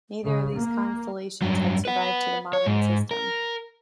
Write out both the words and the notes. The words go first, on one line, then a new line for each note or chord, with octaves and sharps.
Neither of these constellations has survived to the modern system.
C#3
A#3
G2 F#3
B4 F#5
C#5
G#2
A#4